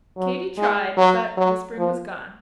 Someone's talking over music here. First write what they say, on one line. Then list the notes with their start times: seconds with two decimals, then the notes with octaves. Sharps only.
Katy tried, but the spring was gone.
0.17 F#3
0.58 G#3
0.97 F#3
1.37 F#3
1.78 F3